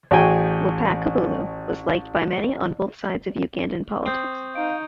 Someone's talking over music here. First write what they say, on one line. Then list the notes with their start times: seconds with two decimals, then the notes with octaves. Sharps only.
Wapakhabulo was liked by many on both sides of Ugandan politics.
0.11 A1 F#4 G#4 G5 G#5
4.06 C4 C#6 D#6 G6
4.55 D#4 F5 D7